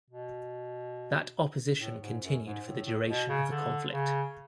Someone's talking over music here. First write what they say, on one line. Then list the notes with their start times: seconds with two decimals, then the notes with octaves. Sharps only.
That opposition continued for the duration of the conflict.
0.10 B2
1.80 A2
2.02 G#2
2.22 F#2
2.45 G#2
2.66 A2
2.86 A2
3.08 B2
3.29 C#3
3.51 D3
3.92 C#3